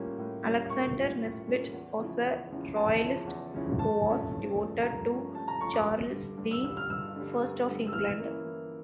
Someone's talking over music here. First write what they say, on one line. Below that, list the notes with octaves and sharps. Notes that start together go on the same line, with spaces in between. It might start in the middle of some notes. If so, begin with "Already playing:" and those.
Alexander Nesbit was a royalist who was devoted to Charles the First of England.
Already playing: A2 G3 A#3 C#4 F4
A2
G3 A#3 C#4 F4
A2 C#6
G3 A#3 C#4 F4
A2
G3 A#3 C#4 F4
E2
C#3 F3 C#4 E4
E2
C#3 F3 C#4 E4
E2 A5
C#3 F3 C#4 E4
E2
C#3 F3 C#4 E4
G2 A5
F3 A3 C#4
G2
F3 A3 C#4
G2 A#5
F3 A3 C#4
G2 A5
A#5
F3 A3 C#4 C#6
D6
G2
D3 G3
G2
E6
D3 G3 E6
F6
G2 E6
D3 G3
G2
D3 G3
E6
E3 F6
A#3 C#4 E4
E3